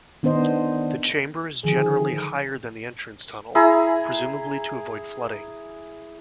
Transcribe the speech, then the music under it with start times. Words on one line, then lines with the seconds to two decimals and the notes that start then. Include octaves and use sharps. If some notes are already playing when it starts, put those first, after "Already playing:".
The chamber is generally higher than the entrance tunnel, presumably to avoid flooding.
0.23 D#3 B3 D4 C5 D#5
1.64 D3 D#3 F3 G#4
3.55 E4 G#4 A#5